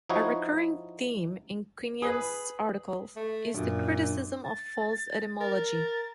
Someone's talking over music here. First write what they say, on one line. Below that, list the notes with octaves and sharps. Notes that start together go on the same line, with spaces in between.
A recurring theme in Quinion's articles is the criticism of false etymology.
F3 D#4 E4 F#4 C#5
G#4 B4 B5 D#6
A3
F#2 A#2 D4
A6
A#4 A6
A6